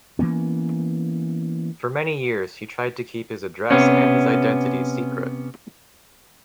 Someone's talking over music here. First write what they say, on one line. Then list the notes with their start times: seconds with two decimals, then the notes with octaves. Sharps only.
For many years he tried to keep his address and his identity secret.
0.19 E3 A#3 B3 C#4
3.71 C3 B3 C#4